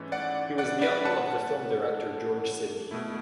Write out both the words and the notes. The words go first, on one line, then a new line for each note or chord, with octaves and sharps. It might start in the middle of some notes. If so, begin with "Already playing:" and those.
He was the uncle of the film director George Sidney.
Already playing: G#2 E3 A3 C#4
D5 F#5
D5 F#5
B4 D5
F#5 A5
B2 A3 E4